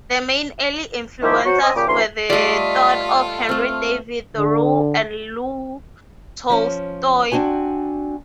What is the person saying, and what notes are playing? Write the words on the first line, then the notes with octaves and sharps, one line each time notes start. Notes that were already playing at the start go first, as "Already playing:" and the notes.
The main early influences were the thought of Henry David Thoreau and Leo Tolstoy.
D#3 F3 G#3 A3 E4 G4
F#3 F#4 C5 C#6
C4 D#5
A#2 C#3 G4 D6
D2 E3 A#3 C#4 C6
G3 A3 F4 A4 D5 D#5 B6
A3 C4 F6
D3
F3 C#4
C4 D4 F#4 G#5